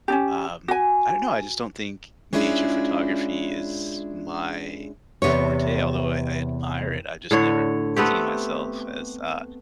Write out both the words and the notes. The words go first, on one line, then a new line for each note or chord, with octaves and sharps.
Um, I don't know, I just don't think nature photography is my forte, although I I admire it. I've just never seen myself as, uh,
C#4 D4 G4
F#4 G#5
G#3 C#4 D4 E4 F4 G#4
E2 G2 C3 B3 C#5
A2 D3 C#5
A3 B3 C4 G4